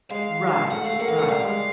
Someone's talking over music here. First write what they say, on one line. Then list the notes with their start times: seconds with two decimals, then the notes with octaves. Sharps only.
Right. Right.
0.11 G#3 F5
0.71 A3 F#5
0.85 A3 F5
1.00 A#3 F#5
1.09 F5
1.15 A3
1.20 F#5
1.29 G3 F5
1.44 G#3